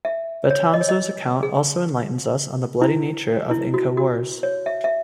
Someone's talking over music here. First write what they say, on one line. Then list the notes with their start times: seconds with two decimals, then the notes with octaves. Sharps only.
Betanzos's account also enlightens us on the bloody nature of Inca wars.
0.05 E5
0.50 C#5
0.74 D#5
0.81 C#5
0.89 D#5
1.43 G#4
2.82 E4
3.51 E4
3.74 F#4
3.97 F#4
4.43 C#5
4.66 E5
4.84 E5